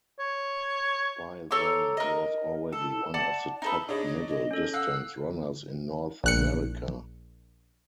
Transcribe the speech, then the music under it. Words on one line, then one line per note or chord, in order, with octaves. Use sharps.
By then, he was already one of the top middle-distance runners in North America.
C#5
A4 C#5 A#5 D6
A#4 D#5
A4
D5 F#5 A5
D#4 A4 B4
D4 D#4 G#4 C#5
D#5
D#5
C#4 A4
F5 F#5 E6 F#6
A#1 F#6 C#7